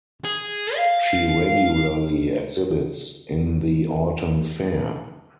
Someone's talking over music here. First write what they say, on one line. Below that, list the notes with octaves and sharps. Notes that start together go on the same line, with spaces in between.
She regularly exhibits in the Autumn Fair.
G#4
F5